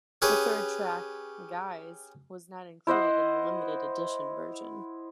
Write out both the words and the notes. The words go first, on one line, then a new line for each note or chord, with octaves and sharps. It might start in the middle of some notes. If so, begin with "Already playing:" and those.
The third track, "Guys", was not included in the limited edition version.
C#4 G4 G#4 B4 C#5
E4 C5 D#5 F#5